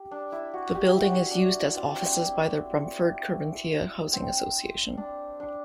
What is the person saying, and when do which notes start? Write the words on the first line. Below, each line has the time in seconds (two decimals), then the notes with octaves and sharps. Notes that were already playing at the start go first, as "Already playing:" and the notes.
The building is used as offices by the Bromford Corinthia Housing Association.
Already playing: G4
0.11 D4
0.32 E4
0.54 F#4
0.75 G4
0.95 E4
1.03 F#4
1.31 D4
1.60 E4
1.68 D4
1.77 C4
1.85 D4
2.02 C4
4.13 C4
4.97 D4
5.40 D4